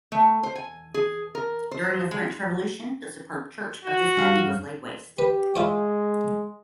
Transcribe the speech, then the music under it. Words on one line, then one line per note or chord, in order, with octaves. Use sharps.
During the French Revolution, the superb church of this abbey was laid waste.
A3
C5
G#5
G#4
A#4
C5
G#3
F#4
G2 F5
G4 B4
G#3 E4 F4 C#5